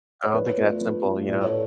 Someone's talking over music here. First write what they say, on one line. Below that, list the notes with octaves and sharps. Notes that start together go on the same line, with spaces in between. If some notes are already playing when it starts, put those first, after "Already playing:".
I don't think it's that simple, you know,
C#5
F3 B4 D5
A3 F4
F3
A3 F4
A2 B4 D5
A4 C#5